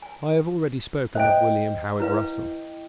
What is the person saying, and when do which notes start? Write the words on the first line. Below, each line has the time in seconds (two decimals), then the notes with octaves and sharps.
I have already spoken of William Howard Russell.
0.02 G#5
1.15 C5 D#5 G5 D7
2.00 E4 B4 F5